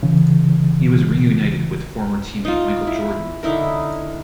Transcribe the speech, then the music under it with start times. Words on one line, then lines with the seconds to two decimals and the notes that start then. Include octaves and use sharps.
He was reunited with former teammate Michael Jordan.
0.03 C#3 E3
2.45 D#4 F4
2.87 E4
3.43 D3 D#4 E4 A#4